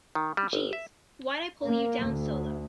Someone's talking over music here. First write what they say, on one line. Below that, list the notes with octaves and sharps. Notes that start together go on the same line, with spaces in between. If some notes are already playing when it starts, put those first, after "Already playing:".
Geez, why'd I pull you down so low?
D#3
G3
G1
E5
A#3
D2